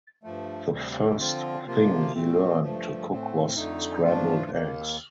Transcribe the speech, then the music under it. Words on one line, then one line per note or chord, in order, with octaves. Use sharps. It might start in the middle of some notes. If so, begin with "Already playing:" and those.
The first thing he learned to cook was scrambled eggs.
G2 F3 A3
D2 C3 G3 C4
D3 F3 C4 F4
C3 F3 A#3 F4
A#2 A3 C4
G2 F3 A3
A2 A3 C4
F2 D3 A3 D#4
G2 F3 A3 D4 F4
D#2 D#3 A#3